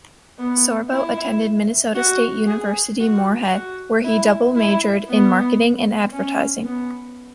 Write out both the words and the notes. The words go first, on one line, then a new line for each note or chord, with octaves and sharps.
Sorbo attended Minnesota State University Moorhead, where he double majored in marketing and advertising.
B3
E4
F#4
G#4
F#4
F#4
E4
E4
B3
C#4
B3